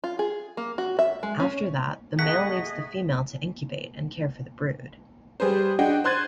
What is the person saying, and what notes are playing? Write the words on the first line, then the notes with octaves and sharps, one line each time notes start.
After that, the male leaves the female to incubate and care for the brood.
F4
G#4
A#3
F#4
E5
G#3
C#4
A3 G#4 D#5 F#5 A#5 B6
G3 G#4 B4 C5
D4 F#4 G#4 D#5 F#5 G5
C5 C6 F#6 G#6 A6 D#7